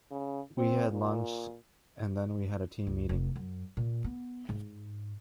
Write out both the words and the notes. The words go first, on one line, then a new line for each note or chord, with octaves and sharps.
We had lunch and then we had a team meeting.
C#3
C4
A#2
C#2
F1
F#2
A#2
B3
G#2